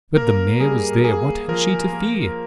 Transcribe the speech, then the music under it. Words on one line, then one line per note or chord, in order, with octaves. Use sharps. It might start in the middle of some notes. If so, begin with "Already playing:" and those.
But the mayor was there; what had she to fear?
A#3 A#4
G3 G#4
A#3 G#4
F3 A#4
A#3